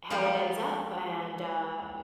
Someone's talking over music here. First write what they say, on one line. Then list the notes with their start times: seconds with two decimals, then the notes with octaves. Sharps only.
how it ends up and, uh,
0.10 F3 G3 G#3 A#3 G4